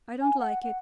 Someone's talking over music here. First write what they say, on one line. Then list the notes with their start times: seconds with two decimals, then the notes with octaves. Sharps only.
I don't like it.
0.21 G#5
0.39 F#5
0.62 F#5